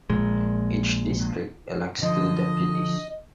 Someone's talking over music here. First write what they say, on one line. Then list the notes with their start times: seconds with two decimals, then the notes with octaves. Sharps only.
Each district elects two deputies.
0.10 A#1 A#2 G#3
2.03 D3 F3 D#5